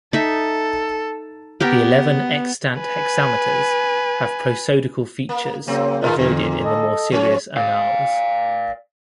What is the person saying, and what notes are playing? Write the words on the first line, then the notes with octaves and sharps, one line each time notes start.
The eleven extant hexameters have prosodical features avoided in the more serious "Annales".
D#4 A4 E5
B3 G4 A#4 G5
B4 G#5
A#3
C#3 F#3 A#3 C4
D#3 G#3 B3 F4 A#4
F2 A#2 D3
A4 D#5
F3 C#4 C#5
D5 F5